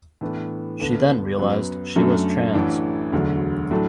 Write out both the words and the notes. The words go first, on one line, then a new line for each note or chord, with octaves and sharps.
She then realized she was trans.
A2 E3 B3 D4
D2 D3 B3 D4
F#2 F#3 B3
F#2 F#3 A3 D4
A1 A2 E3 D4
E1 D2 D3 F#3
A2 F#3 A3 D4